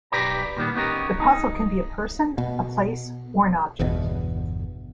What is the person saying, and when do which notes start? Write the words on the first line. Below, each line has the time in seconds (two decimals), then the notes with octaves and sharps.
The puzzle can be a person, a place or an object.
0.12 B1 G4 B4 D5 A#5
0.57 A#2 D#3 G3 B3
0.75 B3 C#4 D#4 G4 A4 A#4
1.20 D#4
2.38 B2
3.79 G1 E2 B2